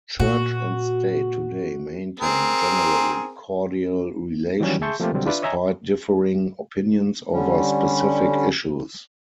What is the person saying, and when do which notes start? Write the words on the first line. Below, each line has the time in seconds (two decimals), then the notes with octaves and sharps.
Church and State today maintain generally cordial relations despite differing opinions over specific issues.
0.20 A#2 F#4
2.20 C4 G#4 A#4
4.60 D#3 E3 F#3 G3 C#4
4.82 G#4 E5 A5 C6 C#6 G6
5.00 F3 A3 A#3 C4 F4 G4
5.12 C2 B2 D3 F#3 G3 C4
5.26 D4 F4 B4 D5 E5
5.42 C#5 D#5 E5 G#5 A#5
7.32 D3 G3 C#4